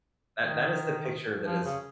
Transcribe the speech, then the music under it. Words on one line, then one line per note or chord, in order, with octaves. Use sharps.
that that is the picture that is
D#3
F3
C#3